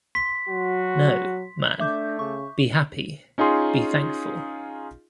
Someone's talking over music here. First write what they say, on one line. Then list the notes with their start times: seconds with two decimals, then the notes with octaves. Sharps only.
No, man, be happy, be thankful.
0.15 C6 B6
0.49 F#3 F#4
1.80 A3 D4 E5 D6 G6
2.19 C#3 C#6
3.38 C#4 D#4 F4 G#4 C6